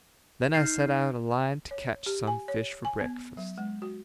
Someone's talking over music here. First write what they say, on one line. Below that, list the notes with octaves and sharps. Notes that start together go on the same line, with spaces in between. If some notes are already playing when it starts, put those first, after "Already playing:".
Then I set out a line to catch some fish for breakfast.
D#4 F6 G6 C7
C#5
G4
G#5
C#5
G#5
B3
F#3
G#3
F#4